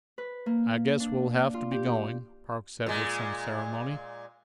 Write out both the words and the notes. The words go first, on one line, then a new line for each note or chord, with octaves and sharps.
"I guess we'll have to be going," Park said with some ceremony.
B4
A#3
D4
F4
G4
A#2 G#3